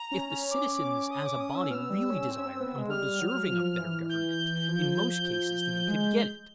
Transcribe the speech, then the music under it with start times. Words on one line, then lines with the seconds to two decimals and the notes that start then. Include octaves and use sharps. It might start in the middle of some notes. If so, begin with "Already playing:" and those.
If the citizens as a body really desired and were deserving of better government, in most cases they could get it.
Already playing: A#5
0.11 C#4
0.30 C#4
0.51 D6
1.10 D#6
1.25 D6
1.40 D#6
1.55 E6
1.70 B3 E6 F6
1.90 G3
2.10 C#4
2.30 C4
2.39 C#4
2.46 C4
2.60 B3
2.78 G#3
2.89 G3 F6
3.20 F#3
3.49 F3
3.79 E3
4.09 G6
4.68 F3
5.88 G#3